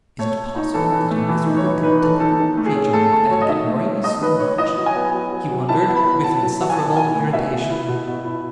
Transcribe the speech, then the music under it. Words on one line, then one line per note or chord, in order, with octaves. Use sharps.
"Is it possible that a miserable, contemptible creature like that can worry me so much?" he wondered, with insufferable irritation.
A3 C#5
A3
D#4
E3 A4
E3
A3
E3
D#4
C#5
E3
D#4 B4
E3 A4
D#4 A4
D#3
A3
G#4
C#4
A3 A4
A3 A4
F#3 C#5
D#5
D#3 E5
A3
C#4
A3 D#5
D#3 B4
C#4 C#5
E4 D#5
F#3
G#5
B3
F#3
F#3
F#3
E4 A5
B3
B5
E4
F#3 A5
F#3
F#3 F#5
G#5
B2 A5
E4 G#5
A3
B2 E5
B2
E4
B2
B2
E4